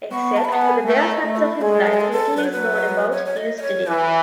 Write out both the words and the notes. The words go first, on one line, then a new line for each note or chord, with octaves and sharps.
Except for the bare facts of his life, little is known about Deusdedit.
B3 C#6
A5
B5
B3 A5
G#5
A3 E5
D#5
A3
E4
G#3 G#4
A4
G#4
A4
A4
F#3 B4
C#5
B4
C#5
C#5
D#5
D#5
C#5
E3 B4